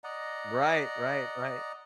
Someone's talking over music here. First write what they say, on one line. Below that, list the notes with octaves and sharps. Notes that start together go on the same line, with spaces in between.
Right, right, right.
D5 D#5 F#5 A#5